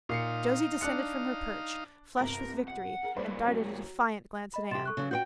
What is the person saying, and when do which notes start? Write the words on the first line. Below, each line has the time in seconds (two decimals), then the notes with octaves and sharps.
Josie descended from her perch, flushed with victory, and darted a defiant glance at Anne.
0.09 A#2 D#4 F5 C7 C#7
0.81 D4 F#6 C#7
2.18 G1 C2 A#4 A#6
2.68 F#5
3.03 G#4 A#4
3.17 G2 A#3 B4 C5 D5
3.45 F#3 C#5
4.54 D#5 B5
4.71 C3 G4 C6 A6 E7
4.85 A4 C#6 F#6
4.97 C#3 F3 F#3
5.11 F#4 C5 G5 G6